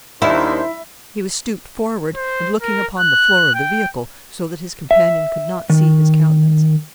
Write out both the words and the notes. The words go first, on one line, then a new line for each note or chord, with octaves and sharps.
He was stooped forward, and looking upon the floor of the vehicle, so that his companion could not see his countenance.
D#2 D#3 D4 E4 C5 E5
C5
A#4
F#6
G5
E5
D#3